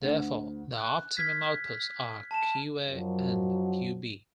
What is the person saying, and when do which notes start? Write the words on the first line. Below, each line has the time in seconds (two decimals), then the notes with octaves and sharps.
Therefore, the optimum outputs are Qa and Qb.
0.01 D2
0.78 F#6
1.17 F6 G#6 B6
2.31 A5 E7
2.88 F#2 D#3 F3 F#3